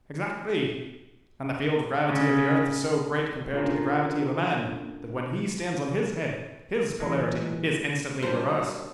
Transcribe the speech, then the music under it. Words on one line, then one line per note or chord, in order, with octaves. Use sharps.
"Exactly, and the field of gravity of the earth is so great compared to the gravity of a man that when he stands on his head, his polarity is instantly reversed."
C#3
C#4 D4 F4 A4 A#4
A#2 E3 F#3 G#3
F#3 G3 A#3 D4 C5 C#5